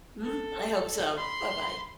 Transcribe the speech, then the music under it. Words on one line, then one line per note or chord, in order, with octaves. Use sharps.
Mm, I hope so. Bye-bye.
A4
B5 C6